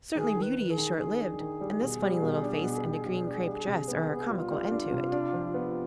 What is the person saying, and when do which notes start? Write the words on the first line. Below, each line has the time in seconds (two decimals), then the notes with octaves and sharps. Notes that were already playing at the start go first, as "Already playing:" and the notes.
Certainly beauty is short-lived, and this funny little face and a green crape dress are a comical end to it.
0.15 D#3 G#4
0.36 D#3
0.42 B4
0.57 D#3
0.70 G#4
0.78 D#3
0.97 D#3 G#4
1.18 D4
1.40 D#3
1.61 G3
1.81 B2
2.02 G3
2.22 B2
2.43 D4
2.64 B2
2.85 B2
3.06 B2
3.27 D4
3.46 G3
3.67 C3
3.88 B3
4.10 B3
4.29 G3 F4
4.50 G3
4.71 D4
4.92 C3
5.12 D4
5.33 F3
5.54 B3